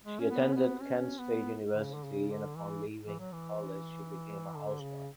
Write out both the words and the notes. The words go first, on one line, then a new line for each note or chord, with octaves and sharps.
She attended Kent State University, and upon leaving college she became a housewife.
G#3
C#4
B3
C#4
B3
C#4
B3
D3
C#3
D3
C#3
D3
E3
E3
F#3
E3
D3
C#3